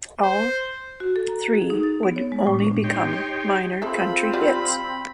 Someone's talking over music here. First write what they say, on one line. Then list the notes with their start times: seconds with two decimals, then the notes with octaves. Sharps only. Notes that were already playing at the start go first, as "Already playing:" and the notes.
All three would only become minor country hits.
0.24 C5
1.00 F#4
1.16 A4
1.28 A#5
1.44 F#4
1.55 G#4
1.70 D#4
1.83 A6
2.03 B3
2.16 C#5
2.32 G#3
2.47 A2
2.59 D4
2.84 D#4 G4 C#5 G5 C6
3.82 C4 F4 G#4 A4 E5 B5
4.33 G3 F#4 D5 B5